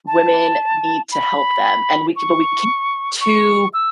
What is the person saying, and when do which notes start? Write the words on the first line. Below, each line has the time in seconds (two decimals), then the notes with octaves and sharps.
and women need to help them and we c but we ca too,
0.07 A5
1.12 B5
2.16 C#6
3.21 C#6
3.74 E6